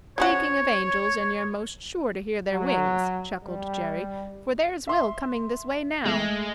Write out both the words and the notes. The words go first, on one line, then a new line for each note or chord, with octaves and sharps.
"Speaking of angels, and you're most sure to hear their wings," chuckled Jerry; "for there's Will coming this way now."
F3 C#4 F#4 C#5
F#3
G3
E5 C6
G#3 A3